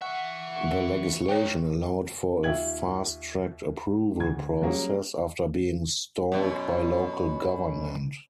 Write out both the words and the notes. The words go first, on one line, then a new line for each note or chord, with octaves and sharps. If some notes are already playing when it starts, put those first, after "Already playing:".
The legislation allowed for a fast-tracked approval process after being stalled by local government.
E3 E5 F#5 C#6
G4 A#4 C#5 G5
D#2 F4 E5 G5 G#6 F#7
D2 G#6
F#3 G3 A#3 C#4 F#4 G#4
F#2 B2